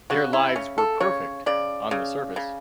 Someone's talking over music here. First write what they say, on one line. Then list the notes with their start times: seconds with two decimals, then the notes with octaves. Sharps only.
Their lives were perfect - on the surface.
0.10 C#3 F#4
0.33 E4
0.55 C#3 C#4
0.78 A4
1.00 C#3 C#5
1.46 C#3 D5
1.91 C#3
2.36 C#3